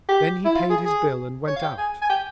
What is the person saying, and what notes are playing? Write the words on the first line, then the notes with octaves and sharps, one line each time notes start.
Then he paid his bill and went out.
G4
E4
F4
G#4
G#4
C#5
F5
G5
G#5
G#5
G5